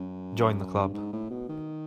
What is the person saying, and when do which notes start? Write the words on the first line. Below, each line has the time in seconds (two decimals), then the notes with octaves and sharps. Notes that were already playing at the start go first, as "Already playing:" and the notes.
Join the Club.
Already playing: F#2
0.83 G2
0.94 G#2
1.13 A2
1.30 B2
1.49 D#3